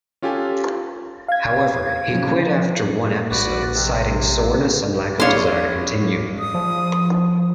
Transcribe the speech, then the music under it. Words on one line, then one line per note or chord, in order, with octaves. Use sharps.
However, he quit after one episode, citing soreness and lack of desire to continue.
C#4 F4 G4 A4 G#5
F5 G#6
C#3 F3
A#1 F#4 B4 D5
C3
A#1 D4 C#5 F5 C6
D#6
F3